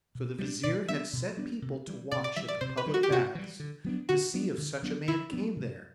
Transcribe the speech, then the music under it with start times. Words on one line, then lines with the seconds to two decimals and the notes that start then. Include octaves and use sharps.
So the Vizir had set people to watch at the public baths, to see if such a man came there.
0.15 B2
0.39 G3 B3
0.43 D4
0.63 B2 D5
0.89 G3 B3 D4 E5
1.13 B2
1.37 G3 B3 D4
1.62 C3
1.87 E3 G3
2.11 C3 D5
2.24 D5
2.36 E3 G3 E5
2.48 D5
2.61 C3 C5
2.77 B4
2.86 E3 G3
2.94 F#4
3.03 G4
3.10 C3 F#4
3.35 E3 G3
3.60 D3
3.84 F#3 B3 D4
4.09 D3 F#4
4.34 F#3 B3 D4
4.58 D3
4.82 F#3 B3 D4
5.08 D3 E4
5.32 F#3 B3 D4
5.56 C3